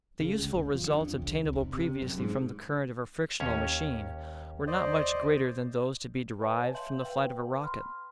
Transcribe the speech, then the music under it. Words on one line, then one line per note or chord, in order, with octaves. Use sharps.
The useful results obtainable previously from the current of a frictional machine were not much greater than those to be derived from the flight of a rocket.
C#3
C#2
F#1
F3
D4
F2
C#2
F1
C3
F#2
G#2
D#2 C#4 C#5
C5 D5 D#5
B4 C#5 D#5 G#5 A5
E5 F5 C6 G6 F#7
B4 F5 G5
B5 C6 F6